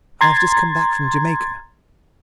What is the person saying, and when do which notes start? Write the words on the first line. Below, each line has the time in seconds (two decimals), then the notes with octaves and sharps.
I have just come back from Jamaica.
0.21 A#5 C6 G#6 A6